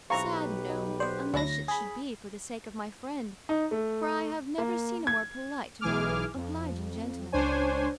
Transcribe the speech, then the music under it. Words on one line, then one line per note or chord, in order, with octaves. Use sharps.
"Sad, no, unless it should be for the sake of my friend, for I have never seen a more polite and more obliging gentleman."
B1 E3 C4 G4 B4 F5 A#5 C#6
D#4
B3 C5 D5
D2 F#3 D4 E4 A#6
G#4 B5
D#4
A3
A#3
G#6
B1 E3 G#4 G#5 D6 F6
F2
C#2 D4 C5 C#5 G#5